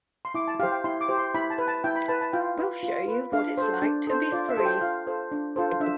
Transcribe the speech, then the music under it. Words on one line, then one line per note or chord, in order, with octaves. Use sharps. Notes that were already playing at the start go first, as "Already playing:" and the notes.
We'll show you what it's like to be free.
C6
E4 D6
A5
G4 C5 F5
G5
E4 C6
D6
G4 C5
C6
E4 B5
A5
B4
A5
E4 G5
B5
B4 A5
A5
F4 G5
B4
F4
B4
D4 F5
A4 C5
D4
A4 C5
F4 D5
E5
A4 C5
G5
F4 F5
A4 C5
D4
F4 A4 C5
D4 E5